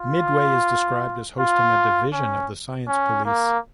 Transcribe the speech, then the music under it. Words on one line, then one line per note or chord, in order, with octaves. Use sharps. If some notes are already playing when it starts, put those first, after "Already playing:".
Midway is described as hosting a "division" of the Science Police.
Already playing: F4
F4
C#4
C#4
A#3